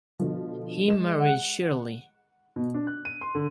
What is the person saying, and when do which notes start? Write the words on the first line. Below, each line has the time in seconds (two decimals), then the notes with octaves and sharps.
He married Shirley.
0.19 B2 D3 F3
0.88 G#3 E7
1.20 F#5
2.56 B2
2.74 D4
2.87 F#6
3.05 D#7
3.21 C6
3.35 D3